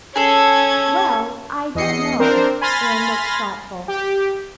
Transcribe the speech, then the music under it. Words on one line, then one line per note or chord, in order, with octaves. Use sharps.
"Well, I don't know." Anne looked thoughtful.
C#4 G#4 A4 G#6
E2 D#5 C7 C#7
C4 D4 A#4 C5
G#5 B5 C6 F6 A6 A#6
G4